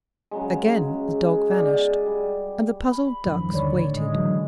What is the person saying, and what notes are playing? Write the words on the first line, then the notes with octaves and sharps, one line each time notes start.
Again the dog vanished, and the puzzled ducks waited.
C#3 F#3 G#3
G#4 D5 F#5
G3
B5
F#2 D#3 F3 G3
D#2 D3 C#5 D5
A2
G#3
D3 E3 F#3 D4